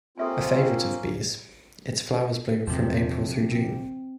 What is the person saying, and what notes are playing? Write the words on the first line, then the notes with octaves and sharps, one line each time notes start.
A favorite of bees, its flowers bloom from April through June.
A#3 C4 C#4 F4 A4 E5 G#5
E2 C3 D#3 F3
C4